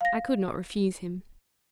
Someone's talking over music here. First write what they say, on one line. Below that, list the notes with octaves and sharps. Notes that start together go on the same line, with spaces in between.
I could not refuse him.
F5 A#6